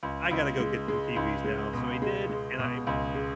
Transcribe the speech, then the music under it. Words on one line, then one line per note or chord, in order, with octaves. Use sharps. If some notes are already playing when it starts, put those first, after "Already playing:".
"I gotta go get some kiwis now." So, I did, and I
C#2
C#2
G#3
G#3
C#2
G#3
B2
G#3
G#3
B2
C#2
G#3